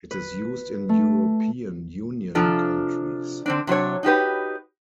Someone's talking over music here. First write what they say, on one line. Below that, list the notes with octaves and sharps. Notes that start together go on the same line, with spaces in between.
It is used in European Union countries.
B4
A3
C3 F3 D4 F4 A4
D3 C4 D4
C3 F#3 D4 C#5
D#4 F#4 G4 B4